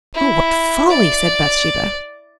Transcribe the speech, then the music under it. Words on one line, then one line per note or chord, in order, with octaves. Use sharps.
"Oh, what folly!" said Bathsheba.
E4
D5